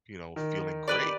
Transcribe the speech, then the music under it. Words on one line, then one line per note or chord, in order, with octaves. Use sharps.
you know, feeling great
D#3
G4 B4 D5